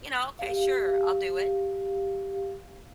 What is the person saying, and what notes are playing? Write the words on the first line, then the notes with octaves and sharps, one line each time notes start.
you know, "Okay, sure, I'll do it."
G4 F5